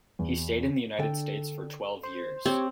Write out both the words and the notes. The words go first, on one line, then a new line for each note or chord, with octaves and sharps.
He stayed in the United States for twelve years.
E2
D3 A4 G5
C5
C4 G4 C#5